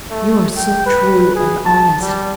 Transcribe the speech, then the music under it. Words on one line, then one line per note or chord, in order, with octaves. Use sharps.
You are so true and honest!
A3
G5
B4
G#4
A5
G3